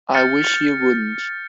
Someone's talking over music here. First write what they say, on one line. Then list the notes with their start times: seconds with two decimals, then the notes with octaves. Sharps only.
I wish you wouldn't.
0.15 F6 G6 A6 C#7